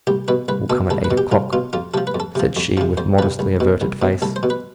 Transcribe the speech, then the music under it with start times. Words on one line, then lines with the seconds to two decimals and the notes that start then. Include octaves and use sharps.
"I will come at eight o'clock," said she, with modestly averted face.
0.07 C2 G4
0.28 B2 B4
0.48 C2 B4
0.70 B2 A4
0.90 C2 A4
1.04 B4
1.11 B2
1.18 G4
1.32 C2 F4
1.53 B2 F4
1.73 F2 F4
1.94 C3 F3 A4
2.07 B4
2.15 F2
2.20 A4
2.35 C3 F3
2.57 F2
2.77 C3 F3
2.97 F2 C5
3.18 C3 F3 B4
3.39 C2
3.60 B2
3.81 C2
4.02 B2
4.22 C2 A4
4.36 C5
4.43 B2
4.50 B4